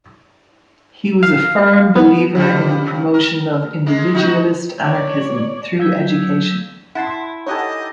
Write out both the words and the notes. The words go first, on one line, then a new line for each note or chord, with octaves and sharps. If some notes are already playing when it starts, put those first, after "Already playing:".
He was a firm believer in the promotion of individualist anarchism through education.
F5
B3
C#3 F3 G3
A#4
G#3 A#3
D#4 F4 F#4
C#5 D5
F#3 F5 E6 G6 G#6 B6
E4 F#5 A5 C6
D#4 G4 A4 C#5 D#5 F#5 G#5